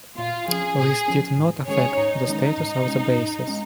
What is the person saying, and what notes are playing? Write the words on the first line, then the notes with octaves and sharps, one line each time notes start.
This did not affect the status of the bases.
A#2 F4
F3 C#4 G#4
A#2 G#4
F3 C#4
G#2
D#3 G#3 C#4 G#4 C#5
G#2 D#4
D#3 G#3 C#4
G#2
G#3 C#4
G#2
G#3 C#4